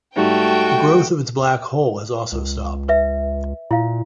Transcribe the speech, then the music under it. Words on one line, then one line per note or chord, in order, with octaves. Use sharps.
The growth of its black hole has also stopped.
G#2 G3 A3 F#4 G5
C#2
B4 E5
A#2 E4 F5